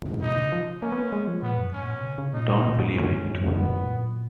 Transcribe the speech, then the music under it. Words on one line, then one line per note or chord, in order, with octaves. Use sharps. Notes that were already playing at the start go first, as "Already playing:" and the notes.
Don't believe it.
G#2
B2 D#4
C#3
F3
A#3 C#4
B3
A#3
G#3
F3
A#2 B3
F#2
G#2 C#4
A#2
B2
C#3
C#3
A#2 D#4
G#2 C#4
F#2
G#2
G#2
F#2
F2
F#2 B3
F#2
A#2